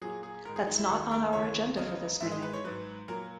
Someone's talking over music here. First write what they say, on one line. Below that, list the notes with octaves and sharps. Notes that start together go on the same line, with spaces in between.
That's not on our agenda for this meeting.
A#2 F#3 G#4
G#4
G#2 D#3 G#3 A#4
G#4
D#4
E4
D#2 D#3 G#3 F#4
A#4
D#2 C#3 E3 G#3 C#5
C#2 C#3 F#3 D#5
G#2 E3 G#3 E5
D#5
B4
C#5
G#2 F#3 B4
A#2 F#3 A#4